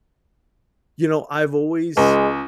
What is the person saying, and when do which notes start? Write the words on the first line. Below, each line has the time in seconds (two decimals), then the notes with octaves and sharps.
you know, I've always
1.97 C#2 G#3